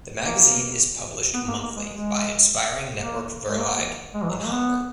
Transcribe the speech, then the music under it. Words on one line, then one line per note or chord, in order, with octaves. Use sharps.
The magazine is published monthly by Inspiring Network Verlag in Hamburg.
A#3
B3
A#3
A#3
G#3
G#3
A#3
G#3
A#3
G#3
E3
F#3
G#3
A#3
B3